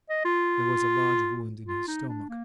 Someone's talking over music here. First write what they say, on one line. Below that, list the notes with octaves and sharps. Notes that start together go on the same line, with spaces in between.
There was a large wound in his stomach.
D#5
F4
F4
D#4
D4
A#3